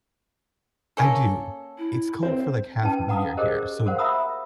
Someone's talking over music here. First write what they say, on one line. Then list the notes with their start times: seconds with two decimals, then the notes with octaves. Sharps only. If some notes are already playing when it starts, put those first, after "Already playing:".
I do. It's cold for, like, half of the year here. So,
0.97 A#3 C#4 A4
1.78 E4
2.23 C4 C5
2.83 C#4 D#4 B4 G5 A5
3.08 B4 F5 F#5 A#5 D#6
3.37 G4 G#4 A#4 C5 D#5
3.86 F#4 A#4 C5 F5 F#5
3.98 E5 F#5 A#5 B5 D#6 E6